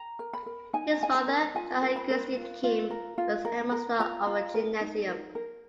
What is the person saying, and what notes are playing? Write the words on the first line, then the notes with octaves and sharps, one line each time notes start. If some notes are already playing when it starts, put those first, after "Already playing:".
His father, Johann Christian Keim, was headmaster of a gymnasium.
Already playing: A#5
A#4
B5
A#4
D#4 G#5
D#4 G#5
A#5
A#4
F4 G#5
A#4
B5
A#4
F4
F4
A#4
F4
A#4
A#4
F4 A#5
F4
A#4
D#4
A#4
A#4